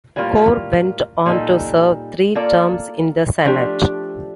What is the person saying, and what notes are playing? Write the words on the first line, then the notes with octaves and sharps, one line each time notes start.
Gore went on to serve three terms in the Senate.
A2 G3 A#3 F4 A#4
A#2 G3 A#3 D#4 A4
A#3 F4 A4 D5
F3 A3 D4 G4